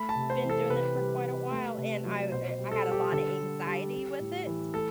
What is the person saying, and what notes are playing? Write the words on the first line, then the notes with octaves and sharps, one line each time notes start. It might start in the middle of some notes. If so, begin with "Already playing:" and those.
been doing that for quite a while, and I er I had a lot of anxiety with it,
Already playing: A3 B5
A5
C3
C5
E3
A4
C3 B4
G3
G3
A3
C3
F#3
B2 C5
G3
A4
G3
G4
D3 A4
G3
G3
G3
A2
E3
A3 A4